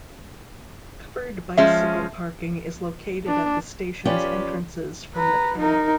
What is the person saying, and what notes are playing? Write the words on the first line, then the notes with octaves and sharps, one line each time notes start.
Covered bicycle parking is located at the station's entrances from the path.
F3 G#3 C#4 E5
D4
F3 C#4 F4 G4 B4 D5
B4 A#5
D#4 A#4